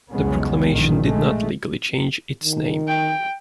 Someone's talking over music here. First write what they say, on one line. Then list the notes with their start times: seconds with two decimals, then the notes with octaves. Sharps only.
The proclamation did not legally change its name.
0.11 B1 E2 C#3 G#3 B3 C#4
0.71 A#1 G2 A#2 D#3
1.04 G#3 A3
2.44 D#3
2.88 G5